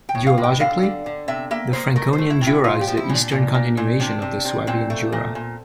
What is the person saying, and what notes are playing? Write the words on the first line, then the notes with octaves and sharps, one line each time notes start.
Geologically, the Franconian Jura is the eastern continuation of the Swabian Jura.
G5
A2
F5
A2
G5
D3 F5
D3
D3
C3 E5
A#3 E5
A#3 C5
A3 A#4
C5
A3
E4
C3
E4
A#2 F4
G4
F3
E4
A#2
D4
A#2
A#2
A#2
C3 D4
C3
C3
A#2 C4
A3
A#2
A#2